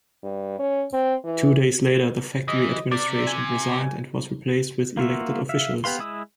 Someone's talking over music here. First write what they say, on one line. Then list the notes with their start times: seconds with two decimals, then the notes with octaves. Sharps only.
Two days later the factory administration resigned and was replaced with elected officials.
0.23 G2
0.59 C#4
0.93 C4
1.24 E3
2.48 E3 D#5
2.91 C3 D5
3.27 G#5
4.97 A#3 F4 F#4 E5
5.49 E5 F5
5.84 B3 G4 B4 F5 C6
5.99 G#3 E4 D#6 E6